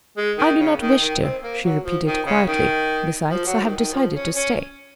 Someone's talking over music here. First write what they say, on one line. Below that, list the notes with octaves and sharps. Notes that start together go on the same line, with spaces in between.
"But I do not wish to," she repeated quietly; "besides, I have decided to stay."
G#3
D#3
C#3
D#3
D#3
C4
A#3
F#3
F3
D#3
C#3
D#3
F3
F#3
D#3
D#3
F3
C#4
C#4